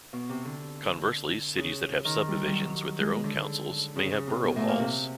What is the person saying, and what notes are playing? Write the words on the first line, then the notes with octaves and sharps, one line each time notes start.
Conversely, cities that have subdivisions with their own councils may have borough halls.
B2
C3
D3
C#3
D#3
G3
G3
F#3
G#3
D3
C#3
C#3
C3
B2
A2
A#2
C3